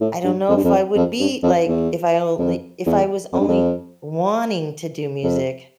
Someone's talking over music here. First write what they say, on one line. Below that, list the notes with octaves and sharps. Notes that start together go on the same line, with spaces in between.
I don't know if I would be, like, if I only if I was only wanting to do music
A2
G2
F2
G2
F2
F2
G2
F2
E2
F2
E2
F2
G2
F2
F2